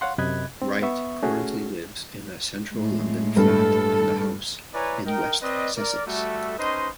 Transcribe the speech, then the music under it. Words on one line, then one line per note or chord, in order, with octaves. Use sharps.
Wright currently lives in a central London flat and a house in West Sussex.
C#5 F5 F#5 C6
F#2 C3 D#5 B5 F#6 G#6
C4
B3 E5 C#6
A3 C#4 F#4 G#4
A2 G#3
G2 A4
E4 B4 C#5 D5 G#5 A#5
D#4 A#4 G5
C4 B4 D5 D#5
A#4 D5
G3 A3 F#4 A4 E5
C#4 D#4 B4 C5 D#5 C6